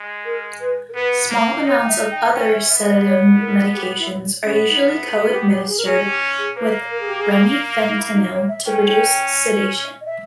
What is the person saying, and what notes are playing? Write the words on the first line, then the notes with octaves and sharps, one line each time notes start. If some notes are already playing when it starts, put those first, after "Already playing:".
Small amounts of other sedative medications are usually co-administered with remifentanil to produce sedation.
Already playing: G#3
A#4
B4
A#4
B3 B4
A#3
D#5
D#4 C#5
G5
E5
G5
E5
C#4 G5
E5
B3 E5
D#5
C#5
A#4
G#4
G4
E4
B3 C#4
D#4
E4
G4
E4
G4
G4
G#4
A#4
C#4 G#4
G4
G#4
A#3 B4
A#4
G#4
G4
G#4
D#4
E4
D#4
C#5
E5
C#4 G5
G5
D#5
E5